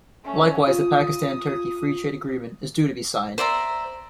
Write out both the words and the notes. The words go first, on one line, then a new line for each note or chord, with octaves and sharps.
Likewise the Pakistan-Turkey Free Trade Agreement is due to be signed.
A3 C#4
F4 D#6
C5 D5 E5 A#5